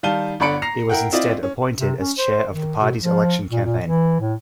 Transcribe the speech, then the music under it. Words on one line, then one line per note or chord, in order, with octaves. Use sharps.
He was instead appointed as chair of the party's election campaign.
D#3 G3 F5 A5 D#7 G7
G1 D3 D5 B5 C#7 D7
A#5 A#6 C7 F7
E4 A#4 F#5 G5
C4 E4 F4 D5 D#5
C#4
C3
C#4
C5
D#3
B2
F3
A#2
A#2
E3
A2